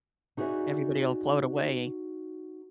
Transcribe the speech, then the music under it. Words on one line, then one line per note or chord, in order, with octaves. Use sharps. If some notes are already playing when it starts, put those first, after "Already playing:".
Everybody'll float away.
D#4 F#4 G#4 B4 D5 E5